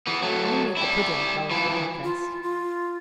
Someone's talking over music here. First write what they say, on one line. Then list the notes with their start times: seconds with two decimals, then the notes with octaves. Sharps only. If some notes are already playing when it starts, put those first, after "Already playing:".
"I made the pudding," Dorothy confessed.
0.07 E3 B3
0.22 F#3 A3
0.77 G3 E4
1.51 E3 F3
2.04 F4
2.43 F4